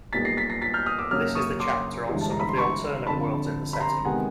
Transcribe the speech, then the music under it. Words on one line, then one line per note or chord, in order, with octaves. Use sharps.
This is the chapter on some of the alternate worlds in the setting.
B1 A#2 G3 B3 A6 B6
A#6 C7
A6 B6
A#6 C7
A6 B6
F6 G6
D#6 F6
D6 E6
F#2 C#3 F#3 A#3 D#6 F6
C#6 D#6
C6 D6
G1 G2 E3 G#3
A5
A#5
B5
C6
B5 C#6
G1 F2 D3 A5 B5
B5
A#5 C6
C3 D#3 G#3 B3 F#5 G#5